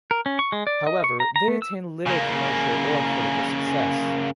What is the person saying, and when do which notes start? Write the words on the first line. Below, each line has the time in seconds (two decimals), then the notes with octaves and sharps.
However, they attained little commercial or critical success.
0.11 A#4
0.26 C#4
0.39 C#6
0.52 G#3
0.67 D5
0.87 D#5
1.04 C#6
1.20 A#5
1.36 A#5
1.48 A3
1.62 E6
2.07 C#3 A#3